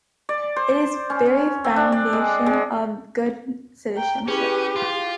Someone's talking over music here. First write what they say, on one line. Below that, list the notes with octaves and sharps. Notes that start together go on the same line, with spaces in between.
It is the very foundation of good citizenship.
D5
C5
C#4
C4
D4
D5
G#3
G#3
G5 A#5
C#4 E4 G4 G#4 B4
F4